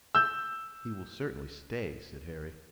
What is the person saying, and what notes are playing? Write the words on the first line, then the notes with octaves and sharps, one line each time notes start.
"He will certainly stay," said Harry.
E6 G6